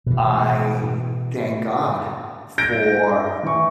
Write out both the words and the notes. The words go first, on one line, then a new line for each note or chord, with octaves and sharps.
I thank God for,
B2 E3
G6 A#6 D7
E3 C#6